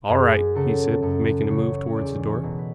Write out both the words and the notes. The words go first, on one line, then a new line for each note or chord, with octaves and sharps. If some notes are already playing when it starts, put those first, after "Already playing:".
"All right," he said, making a move towards the door.
F#2 G#4
C#3 F#3 A4
F#2 A4
C#3 F#3 C#5
C#5
E2 D5
C#5
B2 F#3
B4